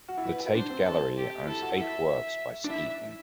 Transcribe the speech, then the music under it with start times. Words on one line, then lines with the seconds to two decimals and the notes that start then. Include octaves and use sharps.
The Tate Gallery owns eight works by Skeaping.
0.08 F#4
0.17 E4
0.24 F#4 B4
0.55 D4 C5
0.70 C4
0.85 C4 A4
1.16 G4
1.46 E4 A4
1.62 F#4
1.77 E4 E5
2.64 D4
2.69 E4 E5